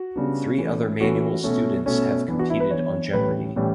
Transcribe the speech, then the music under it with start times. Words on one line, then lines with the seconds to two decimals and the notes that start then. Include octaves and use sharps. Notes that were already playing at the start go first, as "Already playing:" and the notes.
Three other Manual students have competed on Jeopardy.
Already playing: F#4
0.16 C#3 G3 B3 D4
0.58 E3 A3 C#4
1.01 E3 A3 C#4 F#4
1.43 B2 A3 C#4
1.86 B2 A3 C#4
2.28 E3 B3 D4
2.39 F#4
2.50 E4
2.60 B4
2.71 E3 B3 D4 C#5
3.13 A2 E3 G3 C#4 B4
3.56 A2 E3 G3 C#4